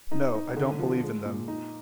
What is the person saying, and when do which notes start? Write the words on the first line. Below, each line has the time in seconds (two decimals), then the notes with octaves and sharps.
No, I don't believe in them.
0.11 D#4
0.35 D#4
0.56 D3
0.79 F3
1.02 G#3
1.25 A#2
1.48 D#4